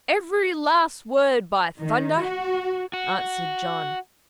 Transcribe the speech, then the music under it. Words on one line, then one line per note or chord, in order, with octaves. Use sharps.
"Every last word, by thunder!" answered John.
D#3
F#4
F#4